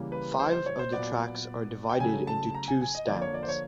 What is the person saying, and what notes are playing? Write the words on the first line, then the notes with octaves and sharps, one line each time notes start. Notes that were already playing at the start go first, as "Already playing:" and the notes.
Five of the tracks are divided into two stands.
Already playing: C#3 E3 G3 A#3
B4
C5
C5
C#5
C5
A#2 F#3 B3 D5
G5
C#3 F#3 A3 G#5
A5
A#5
G#5
G#5
D#5
D3 F3 A#3 D5
C#5
D5
C5
C#5